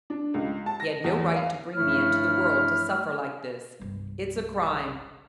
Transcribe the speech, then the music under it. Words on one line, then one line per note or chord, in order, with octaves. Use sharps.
He had no right to bring me into the world to suffer like this. It's a crime.
D4
C#2
A5
A#6
E2
F5
G2 F3 A3 E4 C#5 F6
G1 C2